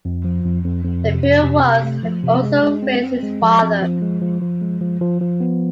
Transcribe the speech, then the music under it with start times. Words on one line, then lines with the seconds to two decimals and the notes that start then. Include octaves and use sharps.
The Purewas had also raised his father.
0.05 F2
0.25 F3
0.45 F2
0.65 F2
0.84 F2
1.04 C3
1.24 F2
1.43 C3
1.64 C3
1.83 A3
2.03 F3
2.23 C3
2.43 G#3
2.63 G#3
2.83 C4
3.03 C4
3.23 G#3
3.42 F3
3.62 C4
3.82 F3
4.02 G#3
4.22 F3
4.41 F3
4.62 G#3
4.81 F3
5.01 F3
5.21 F3
5.40 B3